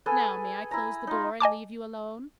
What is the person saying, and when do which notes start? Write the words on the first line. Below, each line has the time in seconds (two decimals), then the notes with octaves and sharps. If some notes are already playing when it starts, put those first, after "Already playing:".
Now, may I close the door and leave you alone?
0.06 G#4 A4 B4 G#5
0.71 E4 A#5
1.07 D#4 F4
1.40 D#5 G#5 A5 D6